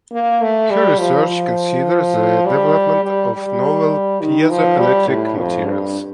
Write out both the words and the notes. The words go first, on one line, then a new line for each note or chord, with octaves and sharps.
Her research considers the development of novel piezoelectric materials.
A#3
A3
G3
F3
F3
G3
G3
G3
D#3
F3
G3
A2
F2
G2